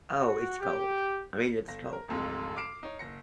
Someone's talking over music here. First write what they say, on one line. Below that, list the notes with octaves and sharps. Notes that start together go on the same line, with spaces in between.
Oh, it's cold. I mean, it's cold.
F#4
G4
G1 A#6
A#4
D1 A1 F2 G#2 G#3
D6 F6 C7 D7 E7
D#4 C#5
F#1 A#6 C#7